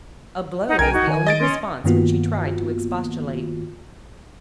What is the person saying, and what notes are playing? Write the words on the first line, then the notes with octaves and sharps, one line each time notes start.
A blow was the only response when she tried to expostulate.
D#4 F#5
B1 A#4 G5 G#5 G#6
D#4 F#4
D#3 G#5
D#5 A6 D7
C#4 C6
G2 D#3 A#3 B3 F4 F#4